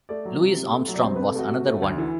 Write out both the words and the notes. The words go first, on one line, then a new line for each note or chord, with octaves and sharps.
Louis Armstrong was another one.
A3 D5
F#3
C3
C3
A3
F#3
D5
C3 C5
C3 B4
A4
A3 F#4
C3 F#4
A3
D2
E3